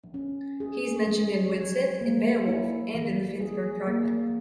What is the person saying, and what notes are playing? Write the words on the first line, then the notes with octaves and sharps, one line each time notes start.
He is mentioned in "Widsith", in "Beowulf", and in the Finnsburg Fragment.
C#4
G#4
G#3
C#5
A#3
E4
E3
G#4
A#3